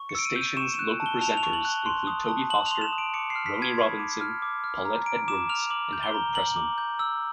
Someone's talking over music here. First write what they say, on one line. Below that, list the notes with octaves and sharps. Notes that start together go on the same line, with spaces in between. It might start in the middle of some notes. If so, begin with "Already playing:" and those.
The station's local presenters include Toby Foster, Rony Robinson, Paulette Edwards and Howard Pressman.
Already playing: C#6
C#7
E6 D7
D#7
G6
D#7
C#6 E7
E7
F#6
A5
G7
A5 F7
F7
C#6
F#7
F#6 G7
C6
D#6
A5
A5 F#7
F7
C6
E7
D#6
D7
D6 C#7
C7
F6
B6
B5
G#6
B5
D6
F6
D6
F6
A#5
A#5 D7
D6 E7
F6 F7
D6 F#7
G6
G7
A#5
A#5 F#7
D6
G6
E6